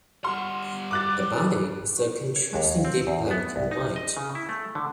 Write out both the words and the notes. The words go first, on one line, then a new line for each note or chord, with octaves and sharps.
The body is a contrasting deep black and white.
G3 F#5 C6 F6
D6 F#6 A6
C#5
D#2
C4
E2
B3
C2
D#4
D#5
C#3
E4
A3
D3